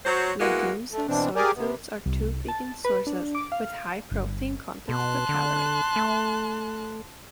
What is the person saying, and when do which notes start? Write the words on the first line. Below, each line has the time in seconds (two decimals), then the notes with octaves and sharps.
Legumes and soy foods are two vegan sources with high protein content per calorie.
0.05 F#3 C5
0.40 G#3 A#3 B3 E4 F#4
0.92 A3
1.08 B2 E3 C4 D4
1.36 G4 G#4 A#4 D5 G#5
1.55 C3 B3
2.06 C2
2.48 A5
2.85 B4
3.07 D4
3.35 D6
3.52 F5
4.11 G1
4.89 B2 A5 C6 F#6
5.29 D3
5.96 A3